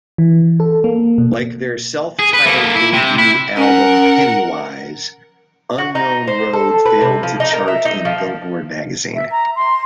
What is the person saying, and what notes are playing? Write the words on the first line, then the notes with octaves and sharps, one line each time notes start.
Like their self-titled debut album "Pennywise", "Unknown Road" failed to chart in Billboard magazine.
E3
A4
A#3
B2
G#4
B4
A#3 A4
E4
C3
E4
C#4 A#4 F#5
F#4
D#4
C5
A4
B4
C3
F3
D#4
A#4
E5
D#4
F3
E5
A#5
C6